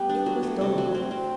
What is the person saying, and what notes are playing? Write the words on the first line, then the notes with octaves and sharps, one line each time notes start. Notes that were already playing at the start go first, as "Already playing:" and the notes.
It was Dolokhov.
Already playing: G3 A3 B3 G4
D4
F#3
A3
C3
F#3
C4
C4